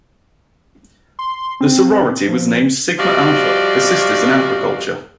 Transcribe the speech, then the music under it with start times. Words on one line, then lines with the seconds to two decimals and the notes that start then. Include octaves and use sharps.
The sorority was named Sigma Alpha for Sisters in Agriculture.
1.19 C6
1.61 C4
2.28 F3
2.99 F3 G3 F#4 D5 D#5 F5